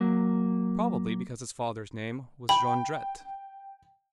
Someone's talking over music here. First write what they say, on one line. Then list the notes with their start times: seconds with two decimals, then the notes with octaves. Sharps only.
Probably because his father's name was Jondrette.
0.01 F#3 A#3
2.49 G5 B5